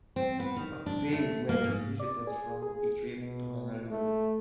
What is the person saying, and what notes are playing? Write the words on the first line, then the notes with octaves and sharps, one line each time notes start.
McVeigh when he returns from a trip to Honolulu.
C4
B3
D#3
D4
A3
A#3
G#2
D5
G#4
G#4
B2
A3